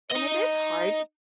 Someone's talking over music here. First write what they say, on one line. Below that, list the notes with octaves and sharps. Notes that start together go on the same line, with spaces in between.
And it is hard
D#4 D#5